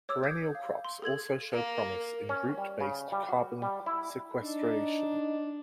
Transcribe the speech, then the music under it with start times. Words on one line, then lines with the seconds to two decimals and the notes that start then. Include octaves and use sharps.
Perennial crops also show promise in root-based carbon sequestration.
0.09 C#5 D6 E6
0.23 D#6 G6 G#6
0.55 F5
0.85 C6
1.02 G#4 A4 G#6 F#7
1.52 A#3
2.29 C#4
2.58 G3
2.80 C#3
3.12 G3
3.29 F#4
3.62 G3
3.86 E4
4.43 D4 D#4